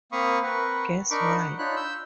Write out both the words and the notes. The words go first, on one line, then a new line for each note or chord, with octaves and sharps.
Guess why.
A#3 C4 F5 B5 C#6 D#6
C4 A#4 B4 F#5 B5 C#6
D4 D#4 A#4 B5 C#6 D6
F#5
D4 D#4 F4 C#5 B5 F#6
E6 G6